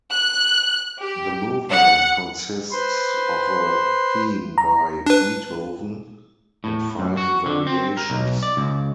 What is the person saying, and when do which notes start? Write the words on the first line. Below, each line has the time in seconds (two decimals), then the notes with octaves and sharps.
The movement consists of a theme by Beethoven and five variations.
0.11 F#6
1.00 G4
1.70 F#5
2.72 B4 C5 C6
4.58 A#5
5.06 D4 B4
6.64 A2
6.99 F#2
7.17 F#4
7.46 D3
7.67 C4
7.97 A#4
8.10 B1
8.43 D5
8.57 C#2